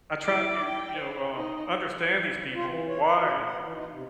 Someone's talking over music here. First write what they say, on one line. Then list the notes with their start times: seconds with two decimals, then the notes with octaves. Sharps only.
I try to, you know, um, understand these people. Why?
0.25 E4 D6
0.67 G5
0.97 C5
1.32 D#4 D#5
2.55 F4
2.68 E3
2.88 C#5
3.05 B4
3.21 F#4
3.34 A#2
3.46 F#5
3.60 E3
3.73 D#4
3.92 C3